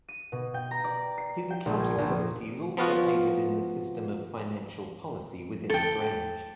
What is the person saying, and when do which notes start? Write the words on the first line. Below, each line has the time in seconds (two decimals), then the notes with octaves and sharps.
His accounting abilities also aided in the system of financial policy within the Grange.
0.08 D#7
0.32 B2
0.54 G5
0.71 A#5
0.84 D5
1.18 C7
1.50 G5
1.66 A#1
1.80 G#5
1.98 A#1
2.77 F3 B3 F4 F#4
5.70 A4 G5